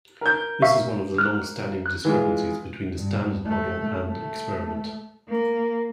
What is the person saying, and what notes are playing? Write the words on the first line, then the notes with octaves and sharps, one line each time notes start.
This is one of the long-standing discrepancies between the Standard Model and experiment.
A#4 G6
E5 F5 C#6
F6 F#6
F#6
E3 G#3 F4
G2
A3
A3
A#3